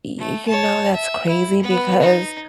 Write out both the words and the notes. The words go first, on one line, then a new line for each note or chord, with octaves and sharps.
Y you know, that's crazy because
A3
C#5 A5
E5
E4
B3 B4
D#4